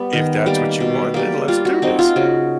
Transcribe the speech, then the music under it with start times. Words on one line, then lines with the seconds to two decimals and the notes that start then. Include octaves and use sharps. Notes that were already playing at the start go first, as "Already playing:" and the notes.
if that's what you want, then let's do this,"
Already playing: G3 B3
0.13 D#3
0.46 G3 A#3
0.80 B2
1.14 G3 A#3
1.48 G3 F4
1.65 F#4
1.82 C4 D#4
1.99 F4
2.16 C#3 F#4